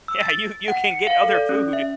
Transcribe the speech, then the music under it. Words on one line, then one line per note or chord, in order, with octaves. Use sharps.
Yeah, you you can get other food.
E6
A6
F#5
C#7
F5
A4
D5
C#4
E5